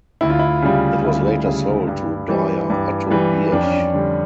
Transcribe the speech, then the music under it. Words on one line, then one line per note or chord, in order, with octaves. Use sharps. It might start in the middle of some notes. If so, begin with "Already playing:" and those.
It was later sold to dyer Otto Birch.
D2 E4
F4
E4
C#3 G3 F4
D2 E4
C#3 G3
G2
E3 G3
G2
E3 G3
F2 D4
C#4
D4
D3 G3